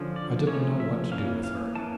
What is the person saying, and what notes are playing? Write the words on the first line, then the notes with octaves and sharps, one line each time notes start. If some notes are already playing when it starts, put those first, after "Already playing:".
I didn't know what to do with her.
Already playing: D3 F3 C#4
D5
C#3 F3 A3 C#4 C#5
E5
E3 A#3 C#4 F5
F5
E3 A#3 C#4 A5